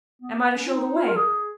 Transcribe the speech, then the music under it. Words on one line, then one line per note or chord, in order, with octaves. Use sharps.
Am I to show the way?'
B3
C#4
F4
D#4
F4
A#4
G#4